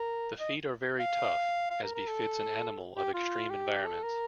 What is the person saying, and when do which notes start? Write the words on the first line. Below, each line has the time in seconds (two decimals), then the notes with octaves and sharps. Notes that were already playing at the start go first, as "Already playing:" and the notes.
The feet are very tough, as befits an animal of extreme environments.
Already playing: A#4
0.39 D#5
0.99 F5
1.70 F5
1.83 A#4
1.94 A#4
2.07 A4
2.96 G4
3.14 F4
3.50 G4
3.85 A4
4.03 A#4